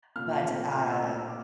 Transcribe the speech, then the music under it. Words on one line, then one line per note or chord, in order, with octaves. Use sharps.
but, uh,
A#2 F6
A3 C4
A#2 F6
E6
A3 C4
E6
A#2 D6